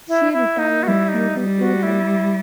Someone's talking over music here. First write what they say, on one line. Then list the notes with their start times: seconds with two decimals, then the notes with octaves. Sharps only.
She retired due to ill health.
0.08 E4
0.33 E4
0.59 D#4
0.83 G3 E4 F#4
1.08 D#4
1.33 G3
1.58 F#4
1.83 E4